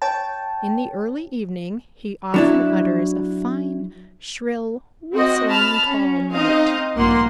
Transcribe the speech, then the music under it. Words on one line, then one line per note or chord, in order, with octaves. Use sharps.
In the early evening he often utters a fine, shrill, whistling call note.
C#5 G5 A5
F#3 D4 E4
C4 F#4 D#5
A5 B5 F6
C#4
C4 D#4 D#5 F5
A#1 G2 A#3 F4 F#5 C6